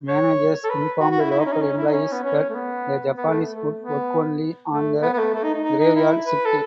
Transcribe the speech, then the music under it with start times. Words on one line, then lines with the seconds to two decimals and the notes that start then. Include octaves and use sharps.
Managers informed local employees that the Japanese would work only on the graveyard shift.
0.08 C#5
0.64 A4
0.70 B4
1.00 F#4
1.11 F#4
1.21 E4
1.31 E4
1.39 D#4
1.46 C#4
1.53 D#4
1.62 C#4
1.77 E4
1.87 D#4
1.93 C#4
2.12 B3
2.24 C#4
2.50 A3
2.55 B3
3.17 B3
3.28 A3
3.52 A3
3.79 B3
4.72 A3
5.02 B3
5.13 B3
5.19 A3
5.34 A3
5.43 D#4
5.54 D#4
5.64 D#4
5.80 D#4
5.95 E4
6.27 B4
6.46 A4